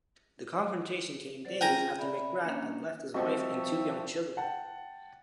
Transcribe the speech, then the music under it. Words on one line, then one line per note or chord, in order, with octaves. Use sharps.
The confrontation came days after McGrath had left his wife and two young children.
F#3 C5 D5
C#4 F4 G#4 G5 G#5 A#5
D5 E5 B5
A#3 C#4 D4
F3 G3 A3 C4 F#4 D#5 E5
F#5 G5 A5